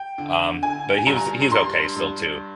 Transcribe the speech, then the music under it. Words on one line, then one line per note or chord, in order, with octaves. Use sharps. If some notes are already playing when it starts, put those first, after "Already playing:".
um, but he was he was okay still too.
Already playing: G5
D3
D3 G#5
G#5
G2 A#5
A#5
G2 C6
G2